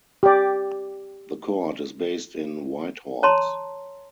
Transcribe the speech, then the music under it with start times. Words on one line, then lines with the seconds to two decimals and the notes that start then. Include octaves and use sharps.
The court is based in Whitehorse.
0.23 G4 D5
3.23 C#5 A5 A#5 C6